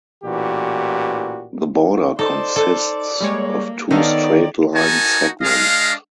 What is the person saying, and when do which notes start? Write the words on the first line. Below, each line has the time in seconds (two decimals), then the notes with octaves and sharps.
The border consists of two straight line segments.
0.24 A1 A#2 E3 F#4 G4
2.19 D#4 A4 C5 D5
2.56 A4
3.21 G3 G#3 A#3 C#5
3.91 D#3 B3 D#4 A4 C#5 D5 F5
4.74 D#4 F#4 A#4 G#5 A5
5.42 G#3 D4 D#5 F5